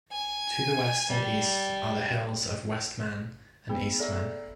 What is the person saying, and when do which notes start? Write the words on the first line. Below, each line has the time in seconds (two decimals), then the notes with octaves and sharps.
To the west and east are the hills of West Man and East Man.
0.11 G#5
1.09 G3
3.69 B3 G#4 B5
3.99 A4 D5 E5 A#5 E6